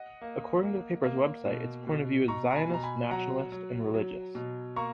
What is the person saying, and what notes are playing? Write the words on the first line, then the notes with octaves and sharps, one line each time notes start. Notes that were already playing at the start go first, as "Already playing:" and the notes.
According to the paper's website, its point of view is Zionist, nationalist and religious.
Already playing: D#5 F#5
A#3
A#3
A#3
B2
B2
B2 A#5 C#6
A#5
G#5 B5
B2 A#5
G#5 B5
F#3 F#5 A#5
F#3
F#3
B2
A#3 A#5 C#6